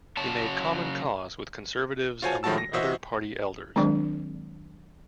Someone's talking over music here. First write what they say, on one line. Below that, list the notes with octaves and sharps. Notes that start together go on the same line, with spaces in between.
He made common cause with conservatives among other Party elders.
C#3 F#3 C#5 A5
F4 F#4 C5 C#5 G#5 A5
D#3 F3 G#3 F#4 A5 E6
A#6
E3 F#4 C5 D#5 E5
D#3 F#3 G#3 C4 D4